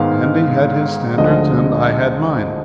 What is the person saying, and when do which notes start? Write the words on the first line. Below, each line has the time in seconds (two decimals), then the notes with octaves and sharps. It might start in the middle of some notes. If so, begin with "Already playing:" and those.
Andy had his standards and I had mine.
Already playing: G#2 D#3 G#3 B3 F5
1.18 D2 D3 F3 G#3 D#5